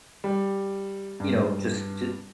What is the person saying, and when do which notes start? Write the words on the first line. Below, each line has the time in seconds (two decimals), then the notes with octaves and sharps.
you know, just ju
0.24 G3
1.20 G2